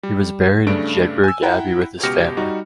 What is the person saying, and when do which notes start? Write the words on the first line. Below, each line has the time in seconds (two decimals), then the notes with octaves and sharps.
He was buried in Jedburgh Abbey with his family.
0.03 G3
0.67 G2 C#3 A3 D4 D7
1.24 G#5 E6
1.42 E4 F#5 G5 A#5
2.03 C#2 B2 G4 F6 A#6 C#7
2.37 G3 D#4 F#4